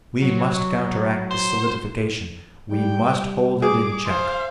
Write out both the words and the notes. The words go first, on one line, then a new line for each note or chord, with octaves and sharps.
We must counteract this solidification. We must hold it in check.
F#3
C5
G3 G5
G#4 D6
C5 F5